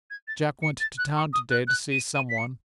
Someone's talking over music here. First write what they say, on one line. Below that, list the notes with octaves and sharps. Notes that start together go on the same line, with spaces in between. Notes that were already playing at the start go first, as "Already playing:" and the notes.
Jack went to town today to see some one.
G#6
A6
C#7
A6
F#6
C#6
D#6
F#6
F#6
D#7
D#7
B6
C#7